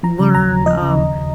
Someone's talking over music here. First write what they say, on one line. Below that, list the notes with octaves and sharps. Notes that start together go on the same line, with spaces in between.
learn, um,
F3 A#5
C#3
D#2 A#5
D#2
F3 D#5
C#3
D#2